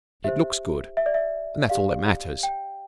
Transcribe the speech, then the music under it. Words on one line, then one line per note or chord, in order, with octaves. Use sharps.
It looks good, and that's all that matters.
G4 C5 E5
E5
D5
E5
G4 D5 F5
G5